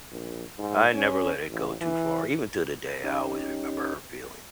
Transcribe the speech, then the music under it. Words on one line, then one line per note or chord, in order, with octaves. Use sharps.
I never let it go too far, even to the day, I always remember her feelings,
A#1
G#2
C#4
A1
E3
C#4 D#4 G4